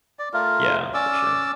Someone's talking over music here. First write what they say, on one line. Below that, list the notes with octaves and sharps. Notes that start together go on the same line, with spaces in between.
Yeah, for sure.
D5
A3 F4 A#4
C#4 D5 D6 E6